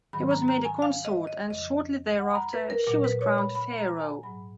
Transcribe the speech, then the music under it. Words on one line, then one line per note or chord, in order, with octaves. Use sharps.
He was made a consort and, shortly thereafter, she was crowned pharaoh.
G#2 D#3 F#3 B5
A#5
A#5
G#5
F5
D#5
D#5
F2 C#3 F3 D#5
F#5
B5
A#5
B4
A#4
A#2 F#3 A#4
B4
C#5
B5
B5
A#5
A#5
G#5
G#2 F#3 B5